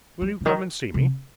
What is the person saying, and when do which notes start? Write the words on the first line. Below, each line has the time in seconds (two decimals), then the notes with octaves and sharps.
Will you come and see me?'
0.22 F#3
0.41 C#3
0.46 D#3
0.94 C3